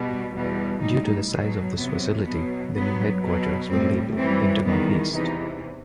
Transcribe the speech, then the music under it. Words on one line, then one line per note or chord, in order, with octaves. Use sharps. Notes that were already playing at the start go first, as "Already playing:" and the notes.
Due to the size of this facility, the new headquarters were labelled Pentagon East.
Already playing: B2 G3
E2 B2 G3
A2 G3 D#4
B2 F#3
E2 C3 F#3 B3
B2 F#3 B3
G2 F#3 B3
B2 F#3
A2 G3 C4
F#2 E3 G3 C4
E2 D#3 G3 B3
E2 C3 E3 D#4